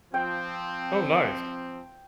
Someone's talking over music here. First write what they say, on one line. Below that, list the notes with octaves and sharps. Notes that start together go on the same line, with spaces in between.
Oh, nice.
F3 C4 G5